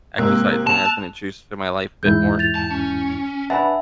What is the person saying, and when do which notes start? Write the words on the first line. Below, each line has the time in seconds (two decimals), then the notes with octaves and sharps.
Exercising has been introduced to my life a bit more
0.18 G#2 C3 A#3 E6 F#6
0.67 A5 E7 F7
2.03 E2 G#2 E4 G6
2.39 A6 F7
2.55 A5
2.70 C#4
3.50 D4 B4 E5 F#5 G#5 A5 B5